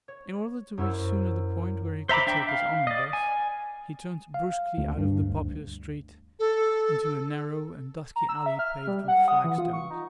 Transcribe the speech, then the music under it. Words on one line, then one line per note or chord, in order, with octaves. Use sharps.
In order to reach sooner the point where he could take his omnibus, he turned brusquely out of the populous street into a narrow and dusky alley paved with flagstones.
C#5
F#2 E4 C5 C#5 E6
C5 E5 A#5 B5 D6
D4 E5 G5
F5
D5 D#5
G#5
F5
D2
G2
D2
A4
A#5
E6
E5
F6
G3
F#5
D#6
E3
F4
C#6
D#4